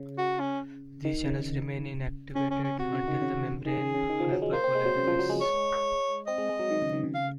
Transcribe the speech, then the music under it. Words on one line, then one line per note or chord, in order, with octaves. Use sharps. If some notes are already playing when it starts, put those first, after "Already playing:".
These channels remain inactivated until the membrane hyperpolarizes.
Already playing: C#3
F#4
C#4
D#3
C#3
C#3 C#4
C#4
C#4
C3 F#4
C#3
D#3
C#3
D#3 G#4
C#3
C#3
D#3
F3
F#3
G#3
A#3 C5
C4
G#3
F#3
C#3
F3
F#3
G#3
C#5
C4 D#5
G#3
G#3
F#3
D#3
C#3
D#3
C#3
F5